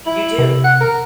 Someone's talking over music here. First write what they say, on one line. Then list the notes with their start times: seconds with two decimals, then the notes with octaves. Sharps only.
You do.
0.06 E4
0.38 C3
0.64 F#5
0.81 A#4